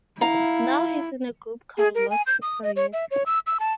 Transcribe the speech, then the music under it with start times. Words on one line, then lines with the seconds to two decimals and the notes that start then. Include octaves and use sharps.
Now he's in a group called Los Super Reyes.
0.21 E4 F5 A#5
1.78 G#4
1.95 A#4
2.10 G#5
2.26 G6
2.42 D#6
2.63 D#5
2.76 C#5
2.93 E5
3.11 C#5
3.26 E6
3.47 E6
3.60 A5